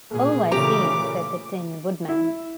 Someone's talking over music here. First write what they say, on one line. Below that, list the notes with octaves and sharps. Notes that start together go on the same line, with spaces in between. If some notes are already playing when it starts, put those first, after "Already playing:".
"Oh, I see;" said the Tin Woodman.
A#2 G#4
A#2 C#3 E3 A3 G4 A#5 D6
E4